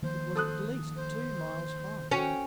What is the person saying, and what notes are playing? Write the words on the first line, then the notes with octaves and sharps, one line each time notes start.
It was at least two miles high.
D#3 F3 A#3 C5
A4 D#6 F#6
C5
C#4 F#4 G5